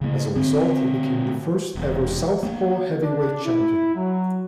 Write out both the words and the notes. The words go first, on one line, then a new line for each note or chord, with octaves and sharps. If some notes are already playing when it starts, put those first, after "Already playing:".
As a result, he became the first-ever southpaw heavyweight champion.
C#3 A#3
D3 C4
E1
A#3 D4
D4
E4
F#3